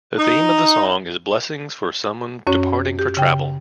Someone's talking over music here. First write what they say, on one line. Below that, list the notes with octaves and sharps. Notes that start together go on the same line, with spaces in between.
The theme of the song is blessings for someone departing for travel.
D#4
F#2 C#4 F#4 C#5
G4
C#3 G5